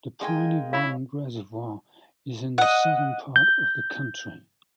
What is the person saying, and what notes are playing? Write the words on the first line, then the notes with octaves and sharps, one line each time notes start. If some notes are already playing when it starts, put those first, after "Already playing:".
The Piney Run Reservoir is in the southern part of the county.
G#3 A#4 D#5 F5 G5 G#5
E4 C#5 F5 B5
D#5 F#5
G6